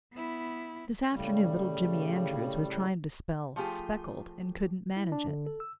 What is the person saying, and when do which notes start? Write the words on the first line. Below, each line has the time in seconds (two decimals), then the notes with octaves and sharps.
This afternoon little Jimmy Andrews was trying to spell 'speckled' and couldn't manage it.
0.13 B3 E4
1.13 A2 C#3 G3
3.56 F3 A3 F4 G4 G#4
4.97 E4
5.12 D4
5.28 D3
5.46 A4
5.60 E6